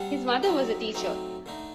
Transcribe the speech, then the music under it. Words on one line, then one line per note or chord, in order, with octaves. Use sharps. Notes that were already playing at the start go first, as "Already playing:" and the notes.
His mother was a teacher.
Already playing: C3 G3 D4 F#5
F#3 C4 D#4 D#5
F#3 A3 C4 D#4
D3 A3 D#4